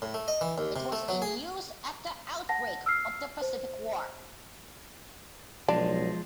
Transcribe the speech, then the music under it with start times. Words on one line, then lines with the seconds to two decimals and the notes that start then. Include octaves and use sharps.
It was in use at the outbreak of the Pacific War.
0.02 A2
0.14 A3
0.28 D#5
0.41 E3
0.58 D#2
0.76 C3
0.92 A3
1.08 F#3
1.22 G#4
2.49 F#5 A5 A#6
2.86 E6 F6 C7
3.42 C5
5.68 B1 F3 G#3 D4